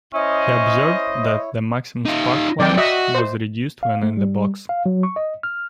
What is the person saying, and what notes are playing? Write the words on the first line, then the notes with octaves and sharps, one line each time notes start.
He observed that the maximum spark length was reduced when in the box.
C#4 E4 C5 C#5 D#5
D#4 F4
C3 F#3 D5 G5
F#4 D#5 E5
C5
F5
A3
G3
F5
F#3
C#6
D#5
F6